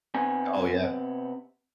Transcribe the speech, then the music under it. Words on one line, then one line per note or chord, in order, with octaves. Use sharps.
Oh, yeah.
C3 B3 C4 G#5